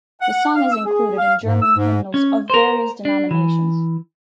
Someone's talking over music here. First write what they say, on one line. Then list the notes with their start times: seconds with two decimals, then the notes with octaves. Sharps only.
The song is included in German hymnals of various denominations.
0.21 F#5
0.56 F5
0.72 E6
0.86 G#4
1.18 F5
1.44 G#2
1.62 E6
1.77 G#2
2.14 C#4
2.50 A#4 C5
3.05 D4
3.31 E3